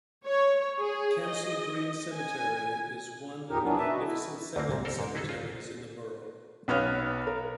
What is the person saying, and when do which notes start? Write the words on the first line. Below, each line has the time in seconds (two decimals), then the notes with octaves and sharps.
Kensal Green Cemetery is one of the 'Magnificent Seven' cemeteries in the borough.
0.25 C#5
0.79 G#4
1.25 D#5
2.14 G#5
3.50 E2 A#2 D#4 G4 A#4
3.63 E3 F#3 B3 D4
3.77 B4 E5 A5
3.90 F#4 D#5
4.06 E4
4.56 D2 A#2 D3 E3 A#3 C4
4.71 C2 G#2
4.85 A4 A#4 C5
4.99 G#2
5.15 D#4 E4 F#4 G#4 A4
5.29 F4 C5 D#5
6.68 B1 B3 C#5 F6
7.27 A#4